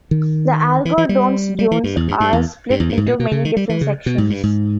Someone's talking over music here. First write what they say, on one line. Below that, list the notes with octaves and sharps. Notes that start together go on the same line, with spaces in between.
The Algodones Dunes are split into many different sections.
D#3
E3
E3
G3
G3
E3
G2
E2
G2
G2
E2
G2
E2
G2
G#2
A#2
B2
C#3
D#3
G3
E3
C#3
B2
G#2
G2
G#2